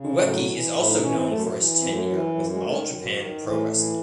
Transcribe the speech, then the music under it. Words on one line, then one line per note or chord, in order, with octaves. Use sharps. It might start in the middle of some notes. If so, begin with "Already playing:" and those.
Ueki is also known for his tenure with All Japan Pro Wrestling.
Already playing: C#3
E3
A2 F#3
E3
A2 E4
D#4
E3 C#4
C4
F#2 A3
E3
F#2 C4
A3
E3 F#3
F#3
F#2 F#3
G#3
D#3 A3
G#3
F#2 F#3
F#3
E3
D#3
F#3
A2 E3
E3